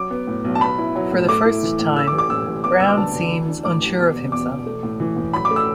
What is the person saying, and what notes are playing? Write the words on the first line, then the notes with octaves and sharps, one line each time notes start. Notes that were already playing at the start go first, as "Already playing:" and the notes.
For the first time, Browne seems unsure of himself.
Already playing: F#3 D6
B3
A2
B1
A5
B3 B5
E4
F#3
A2
A3 D6
E4
E3
A2
A3 E6
D6
A1
D6
A2 E6
A1
B3 D6
D2 E6
D6
D3 A5
D2
E3
D4
A2 D6
A1
B2
E1
E2 D6
E1
A3
A2
E3
A2
F#3 B5
D6
A3
E6